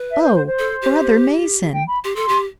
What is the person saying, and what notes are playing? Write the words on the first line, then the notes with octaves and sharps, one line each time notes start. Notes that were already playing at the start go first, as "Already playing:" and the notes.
"Oh, brother Mason!"
Already playing: B4
E5
C5
C5
C5
A4
G4
G5
B5
G4 C6
A4
G4